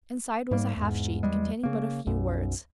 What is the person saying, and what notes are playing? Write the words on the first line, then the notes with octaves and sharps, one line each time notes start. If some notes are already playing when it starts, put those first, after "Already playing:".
Inside was a half sheet containing but a few words.
G#2 G3 A#3
E2 G#2
E2 G3 G#3
C#3 A#3
B1 F#2